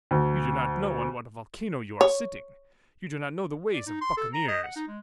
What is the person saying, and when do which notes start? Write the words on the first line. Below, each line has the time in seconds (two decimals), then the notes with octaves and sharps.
You do not know on what a volcano you are sitting. You do not know the ways of buccaneers.
0.11 D2
2.01 C#5
3.73 D5
3.86 D#4
4.01 C6
4.17 A4
4.34 A#5
4.48 D#5
4.64 F#5
4.76 D#4
4.88 G#3